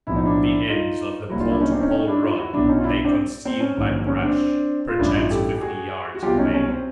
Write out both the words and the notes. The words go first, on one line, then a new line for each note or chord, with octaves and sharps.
The ends of the pole-to-pole rod lay concealed by brush, perchance fifty yards away.
B1 A2 F3 E4
D#4
D4 E4
D#4 F4
C2 A#2 F#3 E4 F#4
D#4 F4
D4 E4
C#4 D#4
C4 D4
C#4 D#4
C#4 D#4
D4 E4
D#4 F4
E4 F#4
B1 B2 F#3 D4 E4
C#4 D#4
F4
D4 E4
C4 D4
C4
C#4
A#1 G#2 D#3 F#3
C#4
C4 D4
F4
A1 G2 E3 D4 E4
D#4 F4
G4 A4
G4
F#4 G#4
F#4
C2 B2 F#3 F4 G4
C#4 D#4
C#4
C4